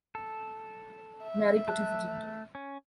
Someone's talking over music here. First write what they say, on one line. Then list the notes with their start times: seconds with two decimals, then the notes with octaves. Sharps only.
Mary put her foot into it.
0.15 A4
1.23 E5
1.68 A3 A5 F#6
2.55 C#4